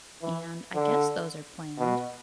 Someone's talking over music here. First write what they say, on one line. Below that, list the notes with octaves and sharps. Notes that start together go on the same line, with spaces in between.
And I guess those are planned,
E3
D3
B2